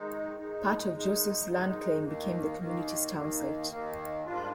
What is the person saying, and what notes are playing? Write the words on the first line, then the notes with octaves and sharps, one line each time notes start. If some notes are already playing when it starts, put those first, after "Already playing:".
Part of Joseph's land claim became the community's townsite.
Already playing: D#3 G#3 D#4
D#3 G#3 D#4
D#3 G#3 D#4
D#3 G#3 D#4
D#2 D#3 A#3
D#2 D#3 A#3
D#2 D#3 A#3
D#2 D#3 A#3
G#2 G3 A#3 D4 F4